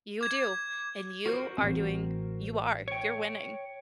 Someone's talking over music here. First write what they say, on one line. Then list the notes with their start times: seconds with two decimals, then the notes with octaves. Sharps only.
You do, and you are doing You are. You're winning.
0.21 D6 G#6
1.26 F#4 A#4 C5
1.58 A1 C4
2.88 C#5 G5